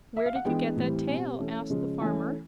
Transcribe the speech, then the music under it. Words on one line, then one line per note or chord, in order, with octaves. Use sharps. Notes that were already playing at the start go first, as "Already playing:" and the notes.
"Where did you get that tail?" asked the farmer.
E5
F5
F#5
E3 G#3 B3 D4 G5
A2 E3 G3 C4
B2 G3 C4 G#5
E3 A3 C#4
C#3 F3 G#3 C#4
E3 A3 C#4 G#5